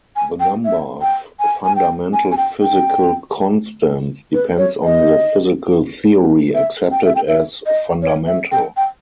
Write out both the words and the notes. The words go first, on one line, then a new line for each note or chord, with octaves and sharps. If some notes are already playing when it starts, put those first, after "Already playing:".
The number of fundamental physical constants depends on the physical theory accepted as "fundamental".
G#5
G5
E5
G5
G#5
G#5
G5
G#5
G#5
G5
G5
B4
C#5
D#5
E5
G5
E5
G5
E5
D#5
C#5
E5
G5
G5